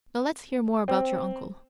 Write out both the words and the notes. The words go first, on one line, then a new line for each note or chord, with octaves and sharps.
"Now let's hear more about your uncle."
C4